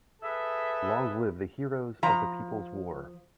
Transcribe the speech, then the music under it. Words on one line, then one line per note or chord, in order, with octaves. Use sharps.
Long live the heroes of the people's war!
G#4 A4 B4 E5
F3 A#5